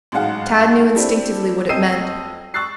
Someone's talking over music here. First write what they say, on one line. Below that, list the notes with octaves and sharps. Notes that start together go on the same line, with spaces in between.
Tad knew instinctively what it meant.
A1 G#2 F#3 G#3 F5 F#5
C4 D4 E4 G4 A4
F2 D#5 G5 E6 C7 D#7
C#6 E6 F#6 A6 C7